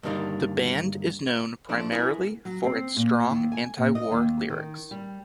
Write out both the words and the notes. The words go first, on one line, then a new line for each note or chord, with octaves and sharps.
The band is known primarily for its strong anti-war lyrics.
G2 D3 D#3 A#3 D4
F3 A3 D4
B3 E4 G#4 A#4
F#3
C4
A#2
D#2
G#5
A#2
D#5
D#2
D#3
G3